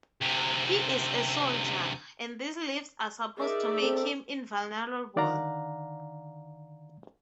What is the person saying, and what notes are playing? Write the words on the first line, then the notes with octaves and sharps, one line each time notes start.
He is a soldier, and these leaves are supposed to make him invulnerable.
D2 C3
D#4 G#4 A#4 D5 E5
C4 A4
D3 D#3 D5 F5 F#5 A#5